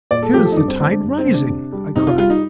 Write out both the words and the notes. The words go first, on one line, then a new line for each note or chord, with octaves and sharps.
"Here is the tide rising," I cried.
A#2 D5
A4
F3 A3 G4
A4
D#4
G2 D4
C4
D3 A3 C4
D4
G2
C4
D3 A3
D4
C3
G3
C3 D#4
F4
G3 F4
D#4